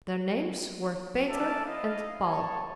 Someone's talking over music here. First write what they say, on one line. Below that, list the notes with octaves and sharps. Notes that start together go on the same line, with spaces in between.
Their names were Peter and Paul.
A#3 C#4 A4 D5 E5 A5
E4 D#5 F5
C#5 A5